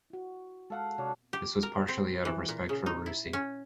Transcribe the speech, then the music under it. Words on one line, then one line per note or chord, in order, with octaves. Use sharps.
This was partially out of respect for Rusie.
E4 F#4
G#3 A4 F5 F#5
C3 F#3 D4
G4
A#4
C4
E3
A#2
C#3
D#4
E4
C#4